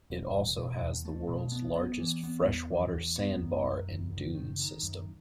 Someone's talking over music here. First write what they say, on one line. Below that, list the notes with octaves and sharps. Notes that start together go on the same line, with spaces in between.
It also has the world's largest fresh water sand bar and dune system.
E1
E1
B2
E2
A3
B2
B3
B3
E3
B3
E2
E3
E2
B3
F#2
F#2
F#1
F#1
D#3
D#3
F#2